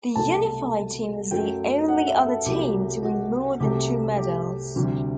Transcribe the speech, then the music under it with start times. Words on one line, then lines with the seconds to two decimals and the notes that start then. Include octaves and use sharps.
The Unified Team was the only other team to win more than two medals.
0.16 C2 B2 F#3 A3 A5
1.31 F#2 F#3 A3 G5
1.89 F#5
2.07 E5
2.26 A4
2.46 C2 B2 F#3 A3 G4
3.03 F#4
3.60 C2 C3 F#3 A3 G4
4.18 G4
4.76 D2 C3 G3